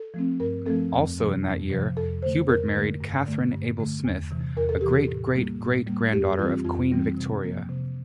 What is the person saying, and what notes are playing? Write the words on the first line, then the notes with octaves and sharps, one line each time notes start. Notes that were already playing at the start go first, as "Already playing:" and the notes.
Also in that year, Hubert married Katherine Abel Smith, a great-great-great-granddaughter of Queen Victoria.
Already playing: A4
F3 A3 C4
G2 A#4
F3 A3 C4 A4
F2
C3 F3
F2
C3 F3
F2 A4
D3 A3 C5
F2 A#4
D3 A3
G2
D3 A3
G2
D3 A3
E2
C3 E3
E2 A#4
A4
C3 E3 G4
A4
A2
G3 A#3
A2
G3 A#3
F2 G4
E3 G3 C4 F4
F2 F4
E3 G3 C4
C3
F3 A#3
C3